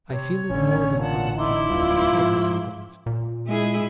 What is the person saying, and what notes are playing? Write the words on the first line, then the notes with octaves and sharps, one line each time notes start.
'I feel it more than other people,' said Mrs. Gummidge.
C3 C#5
A1 D3 C#4
A#2 F#5 A5
D#4 E4 C6 D6
D1 E2 G2 F4
G#2 F3
A#2
G#3 E4 G#4